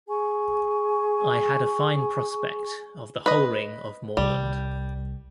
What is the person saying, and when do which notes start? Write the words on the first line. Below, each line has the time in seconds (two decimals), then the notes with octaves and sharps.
I had a fine prospect of the whole ring of moorland.
0.09 G#4 G#5 C#6
3.26 B4 D#5
4.17 C2 G3